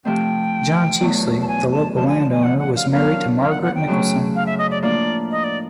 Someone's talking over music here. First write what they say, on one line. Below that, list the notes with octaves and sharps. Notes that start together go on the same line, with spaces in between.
John Chiesley, the local landowner was married to Margaret Nicholson.
C3 F3 A3 C4 G5
E2 B2 F#3 A3
A5
G#5
A5
F#2 D3 F3 A5
G#5
A5
G#5
F#5
F#5
F5
F#3 B3 D4 F4 A#4 F5
F5
F#5
F#5
G5
F#2 C#3 F#3 A3 C#4
F5
E5
D#5
D5
A2 F3 A#3 D4 F4 D5
D#5
D5